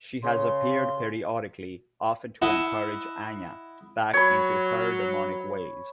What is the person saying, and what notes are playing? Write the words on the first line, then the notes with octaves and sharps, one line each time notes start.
She has appeared periodically, often to encourage Anya back into her demonic ways.
C#3 C6
E4 D#5 F#5 A5
F#3 C#5 B5